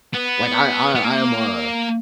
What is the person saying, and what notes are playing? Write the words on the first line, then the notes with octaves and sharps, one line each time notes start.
Like, I I I am a
B3
B3
A#3